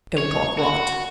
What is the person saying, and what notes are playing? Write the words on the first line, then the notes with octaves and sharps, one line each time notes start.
"Don't talk rot!"
C#5
F#4